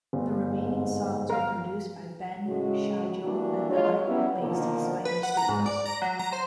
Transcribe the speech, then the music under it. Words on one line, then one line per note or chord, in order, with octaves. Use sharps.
The remaining songs were produced by Ben Schigel at the Ohio-based Spider Studios.
G1
G#2
A#4 F5
A2 C#3 G#3 F#4
E3 G3 A#3 D4 F#4
F2 G#3 F4 C#5
F#3 G3 B3 C#4 E4
B2 D3 D#3 F3 A#3
B4
F#5
A#5
G#2
D5
A#5
F#3
A#5
C5